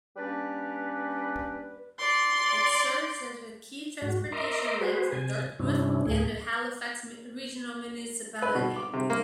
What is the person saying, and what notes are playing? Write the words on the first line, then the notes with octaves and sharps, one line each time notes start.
It serves as a key transportation link for Dartmouth and the Halifax Regional Municipality.
G3 A#3 C#4 D4 B4
D5 C6
G#2 F#4
A#4 D#5 E5 A#5 C6 D6
F#4 G#4 B4 C5
C3 G#5
G2 C3 C#4 D4 E4
D2 A2 A3 G#4
B4
B2
D6
C3
A#3